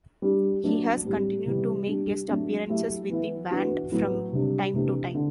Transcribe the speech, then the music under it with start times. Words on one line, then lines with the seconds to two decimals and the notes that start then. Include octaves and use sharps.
He has continued to make guest appearances with the band from time to time.
0.22 G3 D4 G4
0.64 F#3 A3 D4
1.05 A2 G3 C4
1.45 C3 E3 G3 B3
1.87 G3 D4 G4
2.28 F#3 A3 D4
2.68 F#3 A3 E4 G4
3.09 E3 B3 E4
3.51 E3 B3 D4 F#4
3.92 A2 F#3 B3
4.33 C3 G3 D4
4.74 C3 E3 A3 D4 G4
5.15 D3